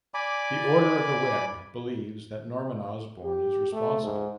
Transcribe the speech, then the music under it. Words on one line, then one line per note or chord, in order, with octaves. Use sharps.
The Order of the Web believes that Norman Osborn is responsible.
D5 G#5 B5 D6
G4
A3
G#2